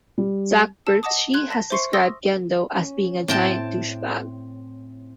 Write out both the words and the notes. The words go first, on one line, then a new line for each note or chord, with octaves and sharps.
Zac Bertschy has described Gendo as being "a giant douchebag".
G3
A5 E6
D#5 F#5 A5 D6 D#6
C6 F#6 G#6
A5 A#6 B6
C5 E5 C6 C#6 C7 C#7
C6 C#6 D#6 E6 A#6
C#4
A2 C4 G5 A5